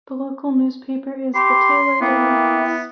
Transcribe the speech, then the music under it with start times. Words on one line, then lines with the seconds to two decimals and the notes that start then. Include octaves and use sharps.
The local newspaper is the "Taylor Daily Press".
1.35 G4 B5 C6
2.01 A#3 B3 E4 G5